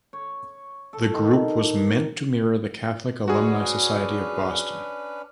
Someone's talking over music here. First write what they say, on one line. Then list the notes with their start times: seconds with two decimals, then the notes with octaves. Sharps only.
The group was meant to mirror the Catholic Alumni Society of Boston.
0.13 C#5
0.93 A4
1.14 D#3
3.28 C#4 D4 F#4 G#4 B4